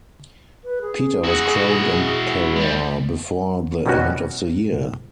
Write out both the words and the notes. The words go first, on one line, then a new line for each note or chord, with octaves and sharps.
Peter was crowned emperor before the end of the year.
B4
G#4
E4 F#4
G3 G#3
B2 D#3 G3 C#4 F#4